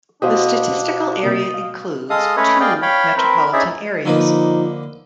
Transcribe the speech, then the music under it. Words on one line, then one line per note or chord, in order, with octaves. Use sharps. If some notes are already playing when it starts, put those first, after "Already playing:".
The statistical area includes two metropolitan areas.
B2 D4 E4 G4 C5 F5 F#5 D#6
C3 A#3 D#5
F5
G#3 A4 D#5 F5 D#6
A3 C#4 B4 C#5 D#5
G#4 D5 D#5 F5 G5
C#5 F5 G5 B5
C4 A#4 B4
C#4 D#4 E4 G#4 D5 E5
D3 F3 A#3 D#4 B4